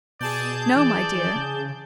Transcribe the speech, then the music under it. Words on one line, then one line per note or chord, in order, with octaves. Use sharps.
"No, my dear."
B2 G#4 D5 A5 G6
E3 D5
C#3